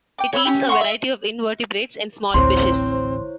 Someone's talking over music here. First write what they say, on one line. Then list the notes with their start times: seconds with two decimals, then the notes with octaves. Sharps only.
It eats a variety of invertebrates and small fishes.
0.19 G5 D6
0.33 C#5 B5 C6 E6
0.45 C#4 E4 G4
0.69 F#5 A#5 C6 C#6
0.81 E5
2.34 A1 D2 C4 E4 C5 C#5 C6